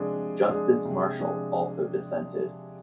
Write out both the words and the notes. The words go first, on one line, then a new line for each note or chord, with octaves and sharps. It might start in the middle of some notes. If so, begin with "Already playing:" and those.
Justice Marshall also dissented.
Already playing: C3 F3 G#3 D4 G#4
C3
F3 G#3 D4 G#4
C3
F3 G#3 D4 G#4